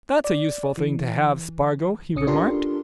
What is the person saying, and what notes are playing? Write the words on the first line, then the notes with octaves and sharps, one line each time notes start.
"That's a useful thing to have, Spargo," he remarked.
D5
E3
A#1 C#4 D#6 C#7
D4 F4 G4 A4 A#4 C6